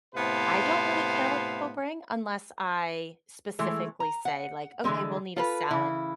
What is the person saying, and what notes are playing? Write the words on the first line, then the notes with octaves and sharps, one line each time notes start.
I don't really care what people bring unless I specifically say, like, "Okay, we'll need a salad."
A2 C3 B3 C5 F5
E3 G#3 A3
A#5
F#5
D3 E3 F#3 G#3 C4
F4 A4 B4
C#3 E3 E4